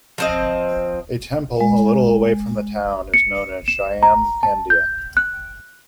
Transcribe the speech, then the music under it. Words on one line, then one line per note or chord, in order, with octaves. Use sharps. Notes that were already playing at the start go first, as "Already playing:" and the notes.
A temple, a little away from the town, is known as Shyam Pandia.
F3 C4 D#5
G#3
C#7
E7
A#5
A5
G6
F#6